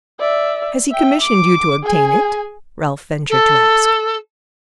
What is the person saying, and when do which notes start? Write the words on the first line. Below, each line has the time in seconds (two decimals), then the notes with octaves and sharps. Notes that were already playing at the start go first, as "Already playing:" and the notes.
"Has he commissioned you to obtain it?" Ralph ventured to ask.
0.20 D5 E5
0.90 E5 G5
1.21 D6
1.84 G#4 G#5
3.29 A4